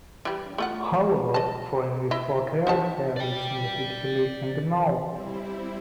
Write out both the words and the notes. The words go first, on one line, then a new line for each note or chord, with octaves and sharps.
However, Frame is portrayed fairly sympathetically in the novel.
E3 G3
A3 F4 F#5
D#5 A5
E4 D#5 E5
D#4 G4 A5
D5 G5
G3 C4 E4